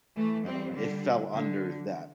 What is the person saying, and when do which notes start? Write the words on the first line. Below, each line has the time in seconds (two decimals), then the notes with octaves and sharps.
I don't know it fell under that
0.16 E3 A3
0.46 G3 C4
0.75 D3 G3
1.33 D3